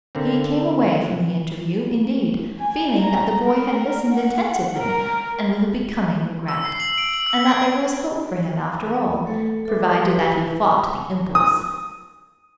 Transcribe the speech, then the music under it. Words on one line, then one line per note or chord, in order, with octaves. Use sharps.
He came away from the interview, indeed, feeling that the boy had listened attentively and with a becoming regret, and that there was hope for him after all, provided that he fought the impulse.
D3 A#3 C4
G#5
A#5
A#4
F#5
A#4
E6
C7
F#7
D7
F#7
E6
G#6
A3 A4
A4 B4 E5 D6
G4 B4
D#6